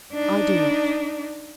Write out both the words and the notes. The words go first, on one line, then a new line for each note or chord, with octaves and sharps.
I do not.
D4 D#4